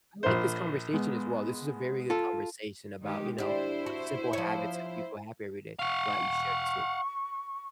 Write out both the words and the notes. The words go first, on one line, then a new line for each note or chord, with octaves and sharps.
I like this conversation as well, this is a very good conversation about, you know, what simple habits help people happy every day, so I'm glad you shared this with me.
A#1 C5
G#3 B3
F4 A4
D#3 G#3 G4
D4 E4 G4 C5
F#4
F3 C#5
F5 F#5 C#6